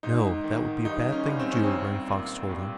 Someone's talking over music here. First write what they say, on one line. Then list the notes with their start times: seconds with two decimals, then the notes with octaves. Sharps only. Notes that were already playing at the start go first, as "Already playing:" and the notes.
"No, that would be a bad thing to do," Running Fox told him.
0.03 G#2 D#4
0.44 D#3
0.85 G2 D#4
1.12 C#4
1.25 G2
1.39 C4
1.52 C#4
1.63 C2 C4
2.08 A#2
2.49 G2